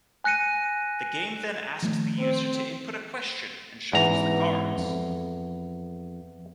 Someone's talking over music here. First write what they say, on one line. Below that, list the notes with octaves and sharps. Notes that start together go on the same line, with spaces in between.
The game then asks the user to input a question, and shuffles the cards.
G#5 F#6 A#6 C#7 D#7
D#3 F3 A3
C4
E2 G#2 E3 A#5
F2